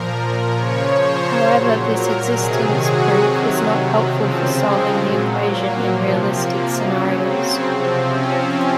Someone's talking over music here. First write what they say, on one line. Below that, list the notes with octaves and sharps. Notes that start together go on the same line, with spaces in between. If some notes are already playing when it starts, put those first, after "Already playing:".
However, this existence proof is not helpful for solving the equation in realistic scenarios.
Already playing: A#2 F3 A#4
C#3 F3 C#5
C5
A#2 F#3
A#4
C3 D#3 F#3 G#4
F#4
C3 D#3 F#3
C#3 F3 C4
G#3
A#2 F#3
A#3
C3 F3
A#3
C#3 F#3
C4
C3 F3 C4
C#4